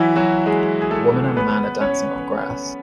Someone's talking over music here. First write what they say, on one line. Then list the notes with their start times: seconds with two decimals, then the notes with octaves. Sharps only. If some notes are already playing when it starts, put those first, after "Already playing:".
A woman and man are dancing on grass.
Already playing: E3 F#3 E4 F#4
0.16 F#3 F#4
0.46 G#3 G#4
0.82 G#4
0.91 A3 A4
1.37 B3 B4
1.81 C#4 C#5